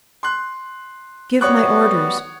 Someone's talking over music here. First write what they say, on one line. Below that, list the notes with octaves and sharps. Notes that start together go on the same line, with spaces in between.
Give my orders.
C6 F#6
G3 B3 F#4 C#5 C#6 F#6